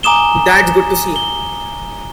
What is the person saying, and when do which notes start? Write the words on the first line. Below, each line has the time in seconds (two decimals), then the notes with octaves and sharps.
That's good to see.
0.03 G#5 A#5 D6 D#6 E7 G7
1.16 G7